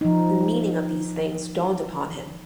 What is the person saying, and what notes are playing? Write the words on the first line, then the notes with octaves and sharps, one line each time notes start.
The meaning of these things dawned upon him.
F3 D#4